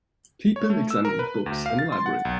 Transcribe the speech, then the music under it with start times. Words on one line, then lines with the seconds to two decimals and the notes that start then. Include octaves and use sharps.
People examine books in a library.
0.56 C#5
0.70 A3
0.90 E6
1.05 A#4
1.19 B4
1.46 D2
1.66 F5
1.79 A6
1.92 C6
2.06 F#5
2.25 B1